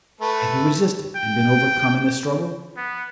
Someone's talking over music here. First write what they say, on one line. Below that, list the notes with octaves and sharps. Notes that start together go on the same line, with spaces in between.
Had he resisted, and been overcome in the struggle?
A3 A4 B4
G5
B3